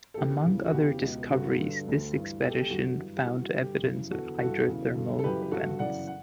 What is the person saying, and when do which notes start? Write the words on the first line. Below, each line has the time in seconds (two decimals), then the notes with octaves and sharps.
Among other discoveries, this expedition found evidence of hydrothermal vents.
0.14 A4
0.17 E2 D3 G4
0.46 E2 C#3 E3
0.66 F#4
0.73 E2 C#3 E3 G4
1.02 C#2 B2
1.30 G2 D3 F#4
1.58 G2 D3
1.87 D2 D3
2.14 G2 E3
2.42 C#2 B2 G4
2.50 A4
2.59 G4
2.70 F#2 D3 F#4
2.98 G2 E3
3.17 G4
3.27 G2 E3 F#4
3.54 G2 D3 G4
3.83 F#2 C#3 E3
4.11 E2 F#4 A4
4.15 D3
4.39 G2 E3 F#4 A4
4.67 E2 C#3 E3
4.95 G2 D3
5.19 A4
5.23 F#2 C#3 E3 G4 B4
5.42 B4
5.51 G2 D3 F#4 A4
5.79 F#2 C#3 E3 D5 F#5
6.07 F#5